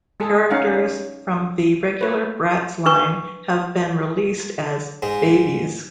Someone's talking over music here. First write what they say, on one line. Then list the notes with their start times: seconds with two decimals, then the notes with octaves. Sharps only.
Characters from the regular Bratz line have been released as Babyz.
0.20 G#3 G#4 A4
0.50 C#4 D#4 F5 F#5
2.01 B4 C#5
2.86 D4 B4 C#6
5.02 G#2 G#3